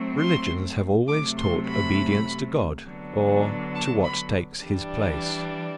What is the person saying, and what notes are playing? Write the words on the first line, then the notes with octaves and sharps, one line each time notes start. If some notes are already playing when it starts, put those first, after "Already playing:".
Religions have always taught obedience to God or to what takes His place.
Already playing: F#3 A3 C4
C6
C3 F#3 A3 D6
C6
B5
D3 F#3 B3 D4
A5
B5
E3 G3 D4